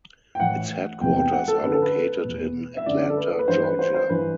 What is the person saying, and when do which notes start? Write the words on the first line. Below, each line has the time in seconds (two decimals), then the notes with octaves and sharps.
Its headquarters are located in Atlanta, Georgia.
0.35 G5
0.39 A2 E3 F#5
1.01 E2 C3 E3 G5
1.16 G5
1.32 F#5
1.48 A4
1.63 F#2 D3 B4
1.73 A4
1.82 B4
2.25 E2 B2
2.77 E5
2.86 F#2 D3 D5
3.10 A4
3.17 B4
3.39 B4
3.48 G2 E3 C5
3.63 B4
3.79 C5
3.94 C5
4.09 G2 E3 B4